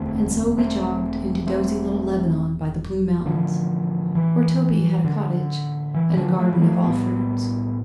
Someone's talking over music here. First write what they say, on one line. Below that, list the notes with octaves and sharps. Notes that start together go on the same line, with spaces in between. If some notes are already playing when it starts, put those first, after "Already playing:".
And so we jogged 'into dozy little Lebanon by the Blue Mountains, where Toby had a cottage and a garden of all fruits.
Already playing: E1 D2 D3 A3 C4
A3 C4
A3 C4
A1 A2 D3 F3
E3
D3
E3
D3 F3
F3 A3
G3
F3 A3
B1 A2 G3 B3